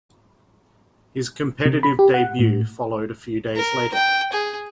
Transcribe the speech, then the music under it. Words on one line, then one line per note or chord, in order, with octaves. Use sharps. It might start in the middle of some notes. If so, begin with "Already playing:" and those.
His competitive debut followed a few days later.
C3
B5
G4
F#5
A2
A#4
G5
G#4